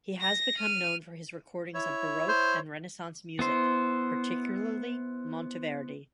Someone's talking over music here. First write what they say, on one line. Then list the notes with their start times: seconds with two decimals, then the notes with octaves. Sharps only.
He has become known for his recordings of Baroque and Renaissance music, particularly Monteverdi.
0.21 A#6
0.58 F6 D#7
1.74 E4 C#5
2.29 C5
3.39 B3 E4 C5